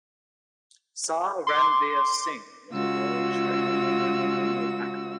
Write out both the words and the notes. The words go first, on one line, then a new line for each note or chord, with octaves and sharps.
Sah Ranveer Singh was a royal treasurer during the rule of Akbar.
C6 D6
C#3 G#3 F4 F#4 E6